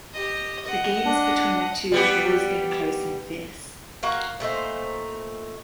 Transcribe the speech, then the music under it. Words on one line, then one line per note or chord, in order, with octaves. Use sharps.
The games between the two have always been close and fierce.
G4 D#5
D#5 F#5
D4
G3 B3 G4
A#3 F#4 F5
A#2 A3 D#4 C5